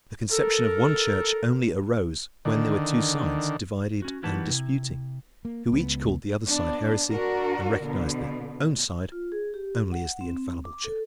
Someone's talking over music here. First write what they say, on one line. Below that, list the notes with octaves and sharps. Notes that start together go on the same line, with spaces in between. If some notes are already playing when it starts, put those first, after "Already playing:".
The conception of one church only arose when there were two sides divided and disputing, who each called the other side heresy, and recognized their own side only as the infallible church.
A4 A#4
D3 D#3
C#4 F#4
D#2 D#3 E3 G3 B3 A5
C3 E4
A#3
C#2 B3
B3 D4
D4 F#4 A#4
B2 D3
F4
G#4
G4
F#5
C4
D6
A4